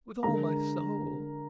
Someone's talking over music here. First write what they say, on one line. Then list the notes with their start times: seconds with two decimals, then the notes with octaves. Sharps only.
"With all my soul."
0.23 D3 G#3 A#4 A#5